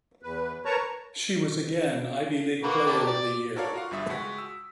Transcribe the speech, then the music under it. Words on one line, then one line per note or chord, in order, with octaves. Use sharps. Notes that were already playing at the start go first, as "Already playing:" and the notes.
She was again Ivy League Player of the Year.
E2 B4
A#4 B4 C#5 A5 A#5 C#6
A#3 F#4 B4
A#3 D4 G4
D5
F#4 A4 A#4 C#5 D5 F5
F4 F#4 F5
G1 G2 G3 E5 D#6
C#2 G#3 F#4 B6
E6